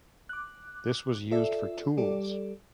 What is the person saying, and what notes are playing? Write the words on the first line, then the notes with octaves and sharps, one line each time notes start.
This was used for tools.
D6 F#6
F4 A4 D5 E5
G3 G4 A4 D5